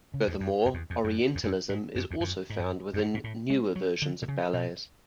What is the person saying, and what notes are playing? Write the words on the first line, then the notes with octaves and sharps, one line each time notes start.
Furthermore, Orientalism is also found within newer versions of ballets.
C#3
E2
F#2
F#2
E2
E2
F#2
E2
F#2
G#2
F#2
E2
F#2
G#2
F#2
F#2
G#2
G#2
A2
G#3
F#3
D3
B2
C#3
B2